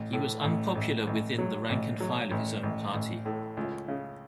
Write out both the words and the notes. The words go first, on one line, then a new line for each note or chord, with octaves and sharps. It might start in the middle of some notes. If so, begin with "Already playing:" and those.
He was unpopular within the rank and file of his own party.
Already playing: A1
A2
A1
A1
A1
F#3
A1
F#3
A1
A1
A1
A2
C#2
C#3